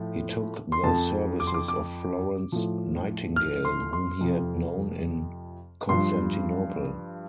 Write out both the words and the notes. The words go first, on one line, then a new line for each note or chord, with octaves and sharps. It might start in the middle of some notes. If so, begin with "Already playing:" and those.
He took the services of Florence Nightingale whom he had known in Constantinople.
Already playing: A2 F3
C6
F2 F3 A5
D6
C6
D6
D6
A2 F3
F6
C6
C6
F2 C3 F3
G2 F3 C6